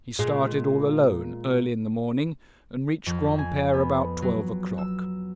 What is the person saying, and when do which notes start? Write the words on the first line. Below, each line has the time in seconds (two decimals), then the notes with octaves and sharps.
He started all alone, early in the morning, and reached Granpere about twelve o'clock.
0.19 A#2 G#3
3.06 F2
3.39 G#5
3.74 B3
4.22 F#3
4.78 E6